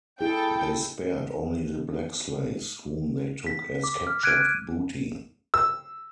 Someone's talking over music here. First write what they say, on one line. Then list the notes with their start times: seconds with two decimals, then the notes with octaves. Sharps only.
They spared only the black slaves whom they took as captured booty.
0.21 E4 G#4 A4 G5
3.47 B6
3.84 D6
4.07 F6
4.23 F#6 G#6 D7 D#7
4.41 F#6
5.54 E6